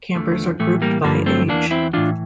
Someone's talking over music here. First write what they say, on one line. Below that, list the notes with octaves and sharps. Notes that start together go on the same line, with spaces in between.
Campers are grouped by age.
E2 D3 F3 A3
A2 E3 A3
G3 A#3
G2 D3 F3 G3 A#3
A3 C4
E2 E3 A#3 D4
C4 E4
A2 E3 D4 F4